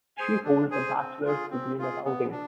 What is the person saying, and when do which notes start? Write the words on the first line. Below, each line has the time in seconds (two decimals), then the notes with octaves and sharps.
She holds a bachelor's degree in accounting.
0.18 G#4 C5 G#5
0.44 D4
0.71 G#4 C5 G#5
0.98 C4
1.25 F4 G#4
1.51 C4
1.79 F4 G#4
2.05 B3
2.31 D4